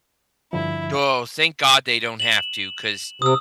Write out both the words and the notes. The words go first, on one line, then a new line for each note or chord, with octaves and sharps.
Duh, thank God they don't have to 'cause
G2 D3 F3 E4
E7 F#7
C3 D#6 E6